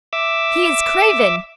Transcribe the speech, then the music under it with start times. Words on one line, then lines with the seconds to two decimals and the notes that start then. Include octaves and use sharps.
He is craven!
0.13 E5 D6 E6